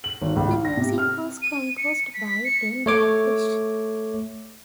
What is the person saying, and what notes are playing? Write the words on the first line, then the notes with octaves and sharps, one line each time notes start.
The music was composed by Ben Daglish.
F#7
G#1
C#2
F4
A#6
C3
F6
D#7
C#7
B6
C#7
A3 C#5 D6